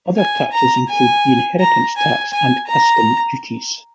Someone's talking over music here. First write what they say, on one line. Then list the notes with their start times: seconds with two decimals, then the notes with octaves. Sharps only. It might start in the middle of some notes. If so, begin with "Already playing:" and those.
Other taxes include the inheritance tax and custom duties.
0.17 G#5
0.52 A#5
0.89 G#5
1.60 A#5
1.97 G#5
2.33 G#5
2.68 A#5